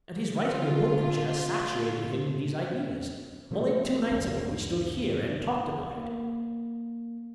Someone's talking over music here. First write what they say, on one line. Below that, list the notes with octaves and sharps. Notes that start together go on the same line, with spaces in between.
And he's writing a book which has saturated him in these ideas. Only two nights ago we stood here and talked about it.
D3 F4
B2 F3 A3 D4
B1 E2 G#2 D3
A#3